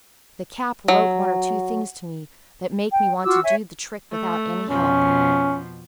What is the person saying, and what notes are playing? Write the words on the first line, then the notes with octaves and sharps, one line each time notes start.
The Cap wrote one or two things to me that make me want to do the trick without any help.
F#3
G5
F4 F#4 D6 E6
C#5 E5 G#5
A3
F2 B2 F3 C#4